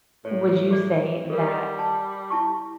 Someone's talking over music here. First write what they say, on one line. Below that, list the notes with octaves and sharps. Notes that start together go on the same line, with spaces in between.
would you say that
A2 C#5
G#4 D5
G3 A4 A#4
D#5 F#5
G#5 A5
E4 A5 C#6